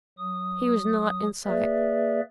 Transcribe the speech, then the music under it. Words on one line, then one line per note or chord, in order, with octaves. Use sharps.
He was not in sight.
F#3 D#6
A#3 G#4 B4 D5 E5